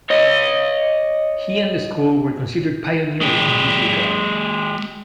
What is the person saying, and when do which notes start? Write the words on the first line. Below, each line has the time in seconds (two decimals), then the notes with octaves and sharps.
He and the school were considered pioneers in this regard.
0.10 C#5 D#5
3.21 G#3 G4